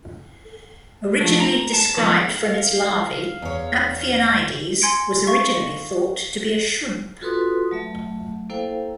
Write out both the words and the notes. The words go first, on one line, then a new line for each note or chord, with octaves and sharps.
Originally described from its larvae, "Amphionides" was originally thought to be a shrimp.
F3 A3
A#5
A5
F3 B3 D#4 B4 D5
F5
E2 C#5
G#5 C6 G#6 C#7 D7
E5 F5 C#6
F4 F#4 A4 B4 C6 D#6
F#3 A3 E5
A#3 E4 A4 C5 F5 G5